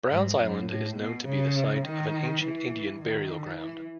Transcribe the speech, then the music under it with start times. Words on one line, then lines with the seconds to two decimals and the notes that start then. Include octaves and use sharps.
Browns Island is known to be the site of an ancient Indian burial ground.
0.10 G#2
0.39 F#2
0.69 A2
0.97 B2
1.26 C#3
1.84 D#3
2.42 E3
3.00 D#3
3.58 E3